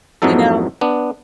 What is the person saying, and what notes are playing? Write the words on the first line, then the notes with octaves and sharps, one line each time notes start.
you know,
F2 G#2 E3 F#3 D#4 A4
B3 D4